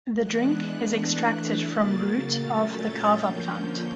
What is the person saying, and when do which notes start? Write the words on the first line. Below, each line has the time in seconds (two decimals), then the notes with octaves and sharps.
The drink is extracted from root of the kava plant.
0.17 E3 G#3 B3 D4 F#6
0.91 E3 A3 D4
1.63 C#3 F#3 A#3 A6
2.00 A6
2.36 A#2 F#3 A3 C#4 A6
2.73 G6
3.10 D3 F3 A#3 C#4